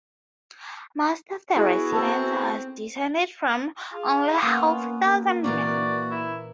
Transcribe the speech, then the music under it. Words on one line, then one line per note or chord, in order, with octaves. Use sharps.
Most of the residents are descended from only half a dozen men.
B3 E4 F#4 G#4
C4 A4
F4 G#4
A#3 B3 C#4
A#2 E3 F#4 A#4 D5
E4